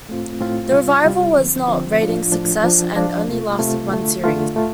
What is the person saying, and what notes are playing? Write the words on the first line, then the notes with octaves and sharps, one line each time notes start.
The revival was not a ratings success and only lasted one series.
A2 A3 C4 F4
A2 A3 C4 F4
C3 G3 F4
C3 G3 F4
D3 F3 C4
D3 F3 C4
A2 F3 D4 F4
A2 F3 D4 F4
F3 D4 F4
F3 D4 F4
C3 A3 F4
C3 A3 F4
D3 A3 F4
D3 A3 F4
A2 A3 F4